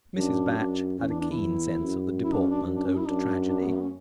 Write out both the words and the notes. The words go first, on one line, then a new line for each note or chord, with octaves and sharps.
Mrs. Batch had a keen sense of the deportment owed to tragedy.
F#2 D4
F#2
E2 C#4
D4
D4
E4
F#2
E4
D4
C#4
D4
F#2
D4
C#4
E4
F#2 D4
D4
B3
A3
B3
C#4